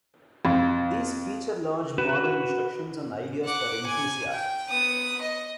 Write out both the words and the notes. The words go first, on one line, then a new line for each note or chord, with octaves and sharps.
These feature large model instructions and ideas for enthusiasts.
F2
F#4 B4
F#5 D6
G#5
G5
B3 D#6
D#5